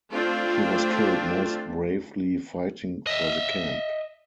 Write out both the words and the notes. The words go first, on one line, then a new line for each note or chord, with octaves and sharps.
He was killed most bravely fighting for the camp.
A3 C4 D4 F4
D#5 E5